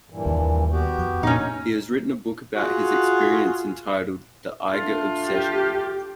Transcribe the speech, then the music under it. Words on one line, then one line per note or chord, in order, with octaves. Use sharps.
He has written a book about his experience entitled "The Eiger Obsession".
G2 A#2 E3
D#2
B3 F#4 G4
F2
A#2 C#4 D#4
F4 F#4 G#4
A3 D4 F4
G4